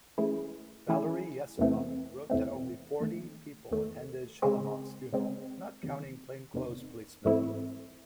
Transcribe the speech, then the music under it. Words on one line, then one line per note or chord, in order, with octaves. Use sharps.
Valery Yesipov wrote that only forty people attended Shalamov's funeral not counting plainclothes policemen.
E3 A3 C#4 E4 G#4
E3 A3 C#4 E4 G#4
E2 C3 E3 A3 C4
E2 C3 E3 A3 C4
E2 D#3 A3
E2 D#3 A3
C#3 G#3 C4
C#3 G#3 C4
E2 C3 D#3
E2 C3 D#3
G#2 E3 A3 C4 E4